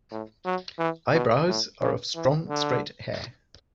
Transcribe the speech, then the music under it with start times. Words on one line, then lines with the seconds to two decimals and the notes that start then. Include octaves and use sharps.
Eyebrows are of strong, straight hair.
0.12 A2
0.45 F#3
0.79 E3
1.13 B2
1.48 A2
1.82 C#3
2.15 E3
2.49 D3